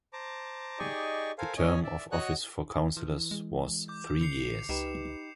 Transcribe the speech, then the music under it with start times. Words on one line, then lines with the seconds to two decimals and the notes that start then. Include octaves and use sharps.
The term of office for councillors was three years.
0.13 C5 A5 A#5 D6
0.79 D#4 G4 G#4 D5 D#5 C#6
1.38 A4 A#4 C5 F5 G#5
1.57 C#4 C#5 D#5 G#5
1.84 D5 E5
2.12 F#4 C#5 D#5 F#5 F#6
2.97 E3
3.31 G#3
3.88 D6 G6
4.21 D3 C7 C#7 F7
4.69 C#2 D#4 G4 B4 E7